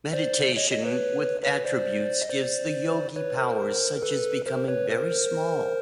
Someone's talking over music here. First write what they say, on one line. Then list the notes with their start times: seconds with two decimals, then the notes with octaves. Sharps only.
Meditation with attributes gives the yogi powers such as becoming very small.
0.13 C5 D5
0.56 C#5 D#5
0.71 C#5 D#5
0.85 B4 C#5
1.43 B4 C#5
1.65 C5 D5
2.22 D#5
2.29 C5 D5
3.16 B4 C#5
3.38 A#4 C5
3.95 A#4
4.02 A4 B4
4.46 A#4 C5
4.68 B4 C#5
4.90 A#4 C5